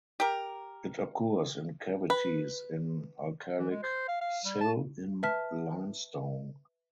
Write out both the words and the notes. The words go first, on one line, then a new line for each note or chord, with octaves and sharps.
It occurs in cavities in alkalic sill in limestone.
G4 A#4
B4
E3
G#3
C5
F5
F5
G3
A5
B4 E5 A5 F6 B6